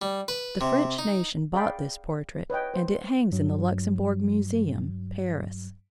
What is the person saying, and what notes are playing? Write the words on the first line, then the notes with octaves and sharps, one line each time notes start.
The French nation bought this portrait, and it hangs in the Luxembourg Museum, Paris.
G3
B4
C3
D#4
G#4 D5 F5 G5 B5
B4 C#5 D#5 G5
C5
G2 F#3